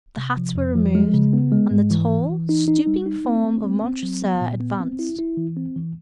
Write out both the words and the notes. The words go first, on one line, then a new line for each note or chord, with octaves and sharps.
The hats were removed, and the tall, stooping form of Montresor advanced.
C3
F3
F2
F3
G#3
C#3
B3
G#3
G#2
E3
E3
E3
D#4
D#4
G3
D#4
C4
A3
C4
C4
F#3
B3
A#2
B3
C4
E4
E4
E3
C4
E3